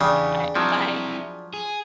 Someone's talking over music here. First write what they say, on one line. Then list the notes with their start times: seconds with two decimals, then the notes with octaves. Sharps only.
Alright, bye.
0.01 E2 C#3 D4 G4 G#4
0.55 F3 F#3 C4 E4
1.54 G#4